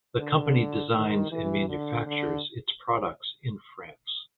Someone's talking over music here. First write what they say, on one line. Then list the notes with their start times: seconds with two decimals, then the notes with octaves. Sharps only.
The company designs and manufactures its products in France.
0.20 D3
0.94 D#3
1.32 E3
1.69 D3
2.06 D3